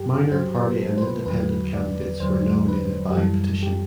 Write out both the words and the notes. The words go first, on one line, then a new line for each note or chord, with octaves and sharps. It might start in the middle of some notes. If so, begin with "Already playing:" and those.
Minor party and independent candidates were nominated by petition.
Already playing: G2 F#3 G4 A4
G2 F#3 C5
B4
A4
C5
B4
E2 D3 F#3 B4
D5
E2 D3 F#3 C5
B4
G4
F#2 E3 G3 A4
G4